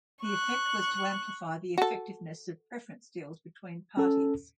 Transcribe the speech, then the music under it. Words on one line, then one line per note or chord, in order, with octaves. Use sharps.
The effect was to amplify the effectiveness of preference deals between parties.
C#6 F#6
F#4 A4
C#4 A4